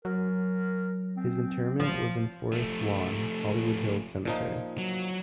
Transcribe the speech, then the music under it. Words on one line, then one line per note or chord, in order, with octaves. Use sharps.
His interment was in Forest Lawn - Hollywood Hills Cemetery.
F#3 A#4
C4
F3
F3 A3
A#2 F3 D#4
F#3